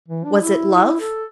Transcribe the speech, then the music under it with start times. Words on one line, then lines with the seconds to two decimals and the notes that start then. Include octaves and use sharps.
Was it love?
0.08 E3
0.25 D4
0.40 E4
1.00 A4